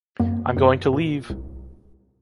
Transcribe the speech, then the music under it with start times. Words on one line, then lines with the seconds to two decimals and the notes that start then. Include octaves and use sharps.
I’m going to leave! ...
0.20 F#2 A#3
0.57 F#2
0.93 A#2
1.30 C2